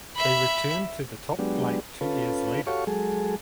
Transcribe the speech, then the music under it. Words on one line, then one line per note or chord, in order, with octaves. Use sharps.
They returned to the top flight two years later.
E5 B5
F#3 G#3 B3 D4 G4
C#4 F4 A4 B4
F#4 G4 A4 C#5 F5 C#6
F#3 G#3 G#4 A4